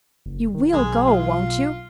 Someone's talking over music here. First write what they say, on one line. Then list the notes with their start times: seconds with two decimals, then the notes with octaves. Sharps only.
'You WILL go, won't you?'
0.26 F#1
0.54 D#3
0.73 B1 G#3
1.07 F4